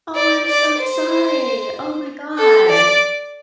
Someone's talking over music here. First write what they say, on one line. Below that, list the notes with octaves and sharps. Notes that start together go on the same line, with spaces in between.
Oh, I'm so sorry. Oh my gosh.
D5
D5
C5
A4
D5